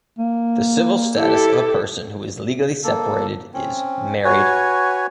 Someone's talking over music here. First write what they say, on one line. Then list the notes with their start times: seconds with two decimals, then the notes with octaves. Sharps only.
The civil status of a person who is legally separated is "married".
0.18 A#3
1.15 E4 G4 A4
2.84 A#3 A4
3.54 C4 C#4
4.24 F#4 B4 C#5 G#5